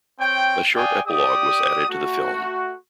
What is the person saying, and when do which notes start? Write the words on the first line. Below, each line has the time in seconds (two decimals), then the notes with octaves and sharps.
A short epilogue was added to the film.
0.20 C4 C#5 G5
0.75 D5 F5 G5 G#5 D#6
1.07 G4 D5 D#6
1.89 A3 F#4